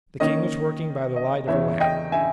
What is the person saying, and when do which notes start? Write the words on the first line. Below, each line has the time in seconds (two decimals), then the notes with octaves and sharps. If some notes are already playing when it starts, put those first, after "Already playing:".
The king was working by the light of a lamp.
0.20 D#3 A#3 C#4 D#5
1.16 D#5
1.48 E2 C#3 E3 C#5 E5
1.80 D#5 G5
2.12 E5 G#5